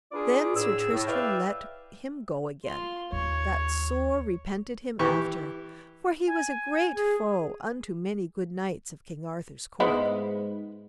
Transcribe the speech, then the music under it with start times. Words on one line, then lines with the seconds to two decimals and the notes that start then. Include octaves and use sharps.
Then Sir Tristram let him go again that sore repented him after, for he was a great foe unto many good knights of King Arthur's court.
0.12 D4 F4 G#4 B4 D5
0.55 A2 G#4 E6
0.91 A2
1.07 B4 D5 E5 F5 G5
2.65 F4 C6
3.12 D#2 C#5
4.99 E3 G4 C#6
6.27 G#5
6.95 G#4
9.80 G#2 G#3 B3 E4